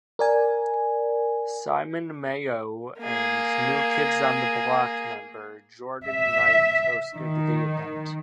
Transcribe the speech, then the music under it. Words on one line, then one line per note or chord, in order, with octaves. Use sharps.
Simon Mayo and New Kids on the Block member Jordan Knight hosted the event.
A#4 D5 G#5
A#3 G#4
E5
D#3